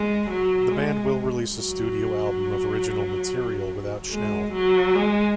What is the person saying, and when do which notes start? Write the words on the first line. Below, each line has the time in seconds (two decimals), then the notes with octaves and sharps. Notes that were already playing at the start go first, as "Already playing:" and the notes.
The band will release a studio album of original material without Schnell.
Already playing: G#3
0.30 F#3
0.71 G#3
1.56 F#3
4.11 G#3
4.52 F#3
4.95 G#3